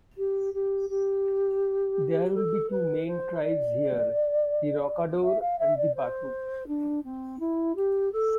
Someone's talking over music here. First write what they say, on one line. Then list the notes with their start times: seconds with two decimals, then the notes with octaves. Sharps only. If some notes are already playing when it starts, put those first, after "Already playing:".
There will be two main tribes here: The Rokador and the Batu.
0.17 G4
0.54 G4
0.89 G4
2.34 A4
2.70 B4
3.06 C5
3.43 D5
5.23 E5
5.41 F5
5.59 E5
5.77 D5
5.95 C5
6.67 D4
7.03 C4
7.39 E4
7.75 G4
8.12 A4